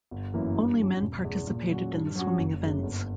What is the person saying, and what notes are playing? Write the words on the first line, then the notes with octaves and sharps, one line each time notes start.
Only men participated in the swimming events.
G1
F#2 E3 A#3 E4
G2
F#3 C#4
E1
E2 C#3
A#2
F#3 C#4 F#4
G2
F#3 C#4 F#4
F#1
F#2 C#3
G1